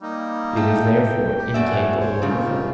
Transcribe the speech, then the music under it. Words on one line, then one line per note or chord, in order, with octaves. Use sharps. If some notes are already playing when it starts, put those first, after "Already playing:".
It is, therefore, incapable of reform.
G3 A#3 D#4
A3 G5
G4
F#2 A3 F#4 D5 E5 G#5
C5 C#5
C#3 G3 A3 C4 D#4 F4